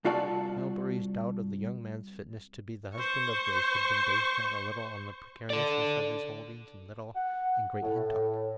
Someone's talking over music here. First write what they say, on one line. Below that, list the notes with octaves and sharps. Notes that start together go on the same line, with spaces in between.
Melbury's doubt of the young man's fitness to be the husband of Grace had been based not a little on the precariousness of his holdings in Little and Great Hintock.
C2 F4 F#4 D5 A5
C5 C#6
A4 D5
F#5
A2